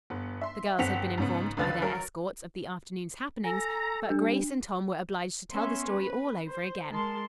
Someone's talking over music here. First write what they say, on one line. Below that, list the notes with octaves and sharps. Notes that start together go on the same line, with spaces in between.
The girls had been informed by their escorts of the afternoon's happenings, but Grace and Tom were obliged to tell the story all over again.
G1 B3
E5 C6
G1 C4 F#5 B6 C#7 F7
G#2 C#3 B3
C#2 D3 B4 A6
F#3 A#4
A4 G#5 A#5
G3 D4
B3 C#4 E5 C6
B4
C5
G#3 A#4 A5 C6